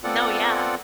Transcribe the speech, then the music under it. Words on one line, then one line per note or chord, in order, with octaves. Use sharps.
No, yeah.
B3 C4 F4 A4 D5 F#5